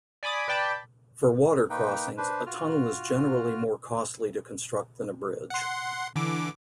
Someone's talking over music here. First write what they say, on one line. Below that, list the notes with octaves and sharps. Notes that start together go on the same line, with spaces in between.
For water crossings, a tunnel is generally more costly to construct than a bridge.
D5 G#5 B5 D6 D#6
B4 D5 G5 A5 B5
A#3 D#4 B4 G5
D4 B4 C5
F4 F#4 F6
F#5 C6
D3 E3 D6